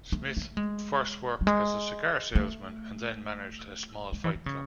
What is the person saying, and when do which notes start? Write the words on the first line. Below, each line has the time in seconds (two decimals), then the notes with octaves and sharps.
Smith first worked as a cigar salesman, and then managed a small fight club.
0.12 A3
0.37 A3
0.57 G#3
1.41 F#3
1.47 G#3
2.35 A3
4.12 G#3
4.24 E3
4.36 E3
4.46 C#3